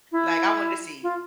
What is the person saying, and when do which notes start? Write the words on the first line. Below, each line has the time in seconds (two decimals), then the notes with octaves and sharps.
Like, I wanted to see
0.12 E4
1.03 F4